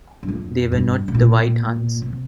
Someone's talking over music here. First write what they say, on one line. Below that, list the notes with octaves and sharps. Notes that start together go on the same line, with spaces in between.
They were not the White Huns.
G2
F2
G2
C3
A#2
C3